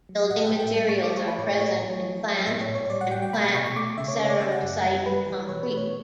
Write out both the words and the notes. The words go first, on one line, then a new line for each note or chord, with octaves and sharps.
Building materials are present in plant and plant ceramsite concrete.
F#3
A2 F#5
G5
A2
G5
G3 A5
C#6
G3
D6
A3 C#6
B5
A2 C#5
A3 C#5
F#3
F#3
F#3
A2 E5
C#5
A2
C#5
C#5
G3 D5
F#5
G3 G5
G5
B2 B5
B5
B2 C#6
C#6
A3 D6
C#6
C#3 E5
C#5
C#3 C#5
D5
C#3 E5
F#5
F#2
G3
G3 B4
E3
B2 C#5
B4
A3
C#5